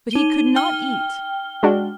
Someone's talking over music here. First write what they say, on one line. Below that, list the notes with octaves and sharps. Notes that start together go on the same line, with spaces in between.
But he could not eat.
D#4 D#7 G7
G5 F6 G7
G#3 D4 F#4